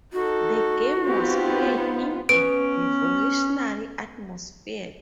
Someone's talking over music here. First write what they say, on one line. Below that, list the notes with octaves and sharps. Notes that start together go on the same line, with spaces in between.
The game was played in a revolutionary atmosphere.
D#4 F#4 A4
B3 C4 D#4 F4 G4
B3 C#4 D7